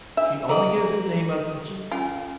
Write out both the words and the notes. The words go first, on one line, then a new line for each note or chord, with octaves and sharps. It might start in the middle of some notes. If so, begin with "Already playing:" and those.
She only gives the name of 'G.
D4 E5
D3 B3 G#4 D#5 A#5
C#4 F4 G#5